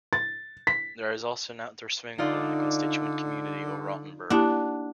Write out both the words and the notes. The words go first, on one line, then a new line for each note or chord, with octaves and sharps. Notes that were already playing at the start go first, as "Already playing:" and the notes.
There is also an outdoor swimming pool in the constituent community of Rottenberg.
A6
B6
D3 D#4 F4 D5
A#3 D4 E4 G4 F#5